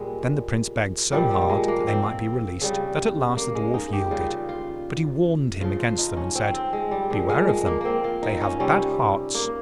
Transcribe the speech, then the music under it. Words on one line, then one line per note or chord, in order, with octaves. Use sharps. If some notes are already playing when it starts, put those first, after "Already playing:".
Then the Prince begged so hard that they might be released that at last the Dwarf yielded; but he warned him against them, and said, 'Beware of them; they have bad hearts.'
Already playing: A#2 G3 G#3
A#2 F3 G3
G3
G#3
A#3
C4
C#3 G3
A#3
G#3
D#4
G4
C#3 G3 F4
F4
C#3 F3 F4
F4
D#4
C#4
C4
C4
G#3
G3
A#2 F3 G#3
G#3
G#3
A#3
A#3 C4
F4
D#4
C#4
C3 G3 C#4
A#3